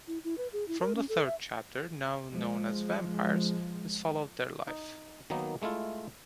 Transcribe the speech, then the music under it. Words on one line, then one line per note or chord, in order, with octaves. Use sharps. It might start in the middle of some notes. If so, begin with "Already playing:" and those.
From the third chapter, now known as "vampires", is followed their life.
E4
E4
B4
G#4
E4
A#4
C#4
A4
E5
F3 G#3
D#4
D#3 F#3 A#3 B3 D#4
G#3 A3 E4 F4